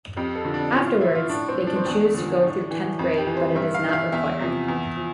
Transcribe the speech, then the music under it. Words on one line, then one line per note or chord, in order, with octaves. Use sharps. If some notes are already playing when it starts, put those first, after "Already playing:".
Afterwards they can choose to go through tenth grade but it is not required.
F2 G4
A4
D3 F3
D4
A2 F4
F4
F3 E4
F4
A2 D4
C4
F3
D4
C4
E2 D4
D3 F3
A2
E3
F2
G4
E3
C5
G2 E5
F5
E3 E5
F5
E2 E5
C3 F3
E2
F3